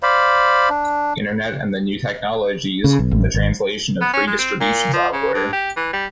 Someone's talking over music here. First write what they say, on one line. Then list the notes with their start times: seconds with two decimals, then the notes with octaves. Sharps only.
Internet and the new technologies, from the translation of free distribution software.
0.03 C5 D5 F5 B5
0.70 D4
2.84 C#3
2.99 B1
3.11 A1
3.34 G#1
4.01 B3
4.14 C#4
4.27 G#3
4.39 C4
4.61 A#2
4.93 F3
5.13 C#3
5.34 G2
5.53 G4
5.76 E3
5.93 G3